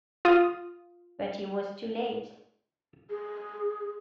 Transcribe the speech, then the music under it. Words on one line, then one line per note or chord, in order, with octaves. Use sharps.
But he was too late.
F4 D#6
G#4